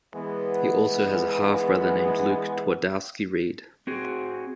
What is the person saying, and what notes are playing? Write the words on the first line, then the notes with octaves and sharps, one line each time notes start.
He also has a half brother named Luke Twardowski-reid.
E3 G#3 B3
C4 F#4 G#4